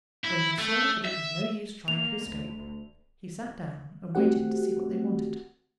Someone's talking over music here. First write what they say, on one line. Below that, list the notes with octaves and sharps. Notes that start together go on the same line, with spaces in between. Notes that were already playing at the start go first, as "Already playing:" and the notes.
When he saw that it was no use trying to escape, he sat down and waited to see what they wanted.
E4
A3
E5
A#3 F7
D2
A3 C4 F#4 G4 F#5